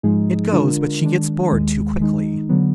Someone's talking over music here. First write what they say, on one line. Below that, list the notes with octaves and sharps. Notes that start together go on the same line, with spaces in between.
It goes, but she gets bored too quickly.
G#2 F3 G#3 D#4 G#4
D3 G#3 D4 F4 A#4
D#3 G#3 D4
D#2 D#3 G#3
D#3 G#3 D#4
D3 F#3 B3